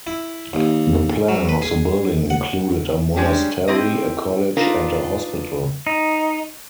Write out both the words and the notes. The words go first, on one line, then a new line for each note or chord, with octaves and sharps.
The plan of the building included a monastery, a college, and a hospital.
E4
D#2
F#3
B4
G#4
F#5
G3 G#3 C#4 D4 G4
C4 E4 G4 C5 D#5
D4 D#4 F4 A#4 B4
D#4